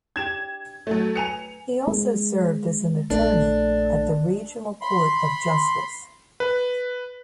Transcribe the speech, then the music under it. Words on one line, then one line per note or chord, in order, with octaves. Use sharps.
He also served as an attorney at the Regional Court of Justice.
D4 G4 G#6 E7
F#3 A3
B4 G#5 A#5 C#7 F7
G#3
A#1 A3 D4
B5 C6
B4